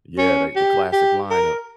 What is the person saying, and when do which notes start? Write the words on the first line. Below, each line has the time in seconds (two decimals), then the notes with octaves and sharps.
Yeah, they the classic line of
0.19 C#4
0.56 G4
0.93 G4
1.31 A#4